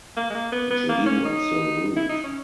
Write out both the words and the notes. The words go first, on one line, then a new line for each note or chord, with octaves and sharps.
Dream of the Rood.
A#3
G#3
A#3
B3
B3
A#3
C#4
D#4
E4
D#4
C#4